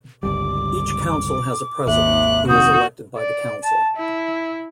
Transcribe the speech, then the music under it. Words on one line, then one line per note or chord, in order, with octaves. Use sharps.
Each council has a president, who is elected by the council.
G1 C#2 G3 D6
G#1 D#2 E5 F#6
F1 C3 D#3 F#4 D#6 G6
D5
A5
E4